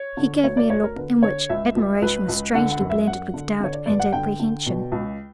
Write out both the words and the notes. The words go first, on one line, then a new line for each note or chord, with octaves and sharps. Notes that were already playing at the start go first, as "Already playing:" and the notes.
He gave me a look in which admiration was strangely blended with doubt and apprehension.
Already playing: C#5
D3
D2 C#5
D5
D2 C#5
A#4
D3 B4
D3 C#5
C#2 E5
C#2
C#2 B4
C#2
D3 F#5
F#5
F#2
E5
F#2 F#5
D3
D3 C#5
D5
G2 D5
F#5
D3 G5
D3
B2
C#2